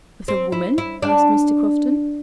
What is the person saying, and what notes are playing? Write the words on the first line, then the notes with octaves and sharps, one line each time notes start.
"With a woman?" asked Mr. Crofton.
C4
E4
E4
D4